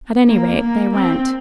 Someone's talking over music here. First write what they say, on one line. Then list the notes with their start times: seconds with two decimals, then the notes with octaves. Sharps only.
At any rate, they went.
0.28 A#3
0.62 A#3
0.95 C4